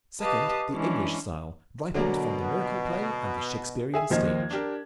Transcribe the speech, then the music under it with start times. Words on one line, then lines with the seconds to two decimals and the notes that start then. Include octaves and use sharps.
Second, the English style, ripened from the miracle play and the Shakespearian stage.
0.21 G4 B4 D#5 F5 A5 D#6
0.72 E3 G#3 C#4 D4 E4
1.94 B2 D3 F#3 A#3
3.94 G#4 E5 G#5
4.10 D#2 D#3 F3 A#3 D#5 G#6
4.51 D4 G4 A#4